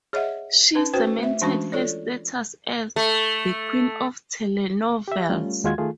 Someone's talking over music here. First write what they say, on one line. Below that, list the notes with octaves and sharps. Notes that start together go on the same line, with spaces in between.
She cemented her status as "the Queen of Telenovelas".
G#4 C#5 D#5 E5 F#5
C#4 D#4 B4
C#4 F#4 B4 C5 G5
A3 E5
E3 G#3 C#4 D4 F#4 C#6
F4 A4 C#5 D5
A3
G4 E5
G3 A3 C#4 F4
D#2 G#3 F4 F#4 G#6
D#3 A3 F4 G#4